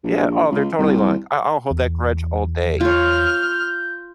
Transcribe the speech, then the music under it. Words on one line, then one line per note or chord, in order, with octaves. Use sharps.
Yeah, oh, they're totally lying I I'll hold that grudge all day,
A#1
C#2
C2
E2
F4 C#5 F6 G6